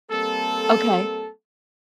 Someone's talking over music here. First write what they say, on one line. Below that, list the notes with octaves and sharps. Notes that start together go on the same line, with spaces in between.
o o Okay.
G3 A#3 C4 A4